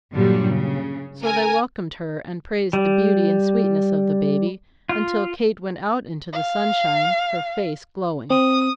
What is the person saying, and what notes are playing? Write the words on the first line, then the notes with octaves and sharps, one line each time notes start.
So they welcomed her, and praised the beauty and sweetness of the baby until Kate went out into the sunshine, her face glowing.
G2 A#2 D3 F#3 G3
C#3
A#4 G#5
G3
F4
F5
C4 D#6